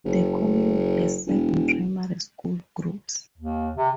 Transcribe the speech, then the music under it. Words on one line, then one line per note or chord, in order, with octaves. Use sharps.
The commune has seven primary school groups.
F#1
E1
D#2
C3